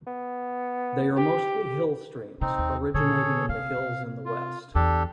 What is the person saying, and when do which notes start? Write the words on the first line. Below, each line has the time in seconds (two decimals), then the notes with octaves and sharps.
They are mostly hill streams, originating in the hills in the west.
0.07 B3
1.16 G4
2.41 C3 C4 D#4
2.58 D#2
2.94 A#2 D3 G#4 A4 C#5
3.49 C3 F5
4.25 F4
4.75 E2 D4 G4 A4